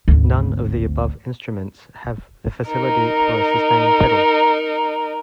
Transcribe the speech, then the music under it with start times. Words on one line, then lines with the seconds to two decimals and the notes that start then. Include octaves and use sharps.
None of the above instruments have the facility for a sustain pedal.
0.08 G#1 D2
2.69 D#4 A#4